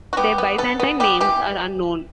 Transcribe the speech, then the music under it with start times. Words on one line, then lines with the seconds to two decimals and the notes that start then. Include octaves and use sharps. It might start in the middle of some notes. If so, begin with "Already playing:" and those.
Their Byzantine names are unknown.
0.13 F#4
0.17 B3 G4
0.38 B3
0.58 B3 A4
0.80 B3
1.00 B3 G4
1.20 E3 G4